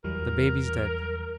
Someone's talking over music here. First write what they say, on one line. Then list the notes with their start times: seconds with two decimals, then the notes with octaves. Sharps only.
The baby's dead.'
0.04 E2 E3 F#3 G3 A#4